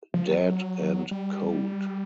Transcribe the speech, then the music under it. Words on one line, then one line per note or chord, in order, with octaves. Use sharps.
Dead and cold.
F3
F#3
G3